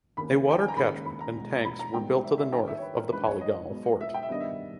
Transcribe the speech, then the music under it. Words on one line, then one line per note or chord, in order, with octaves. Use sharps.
A water catchment and tanks were built to the north of the polygonal fort.
D#2 D#3 A#3 C#4 B5
G5
G#5
A#5
D#2 C#3 G#3 B5
B5
A#5
E2 B2 G#3
B5
A#5
G#2 D#3 G3 B3 G5
E5
E5
G2 D#3 G3 G5
E5
C#5
B4
A#4
G2 E3 G#3 C#4 B4
C#5
D#5
B1 B2 G#3 B3
E5
G5
E5
G2 D#3 G3 B3 D#5
E5